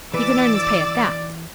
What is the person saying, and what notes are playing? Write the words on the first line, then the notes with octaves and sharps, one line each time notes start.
He could earn his pay at that.
E3 B4 D5 D6 E6 A6